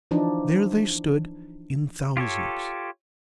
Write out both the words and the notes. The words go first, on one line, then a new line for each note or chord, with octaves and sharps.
There they stood in thousands.
E3 F3 D4 D#4
F4 G4 A4 C#5